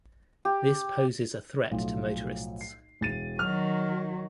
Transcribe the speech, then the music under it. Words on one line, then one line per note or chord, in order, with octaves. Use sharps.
This poses a threat to motorists.
G4
B1 A2 F3
C7
E1 A6 D#7
D#3 F#3 F6